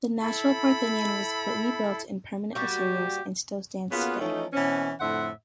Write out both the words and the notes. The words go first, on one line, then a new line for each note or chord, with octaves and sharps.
The Nashville Parthenon was rebuilt in permanent materials, and still stands today.
E4 A4 B5
G3 A#3 F#4 G4
A#3 B3 C#4 F4 F#4 G#4
E3 F3 A3 C#4 D#4
B2 E3 C4 C#4
F2 A2 D3 C5 E5 F#5